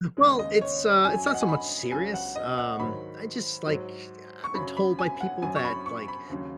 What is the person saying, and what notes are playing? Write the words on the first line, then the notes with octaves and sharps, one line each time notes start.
Well, it's, uh, it's not so much serious. Um, I just, like, I I've been told by people that, like,
D#2 C#3 G#3
D#5
C#5
F#2 F#3 G#5
D#5
F#5
G#5
B5
C#2 C#3 F#3 G#5
F#5
D#5
F#5
G#2 D#3 F#3 B5
G#2 F#3
C#6
F#2 C#3 F#3 B5
B5
G#5
F#5
F#2 F#3 G#5
C#6
B5
C#6
B5
D#2 C#3 F#3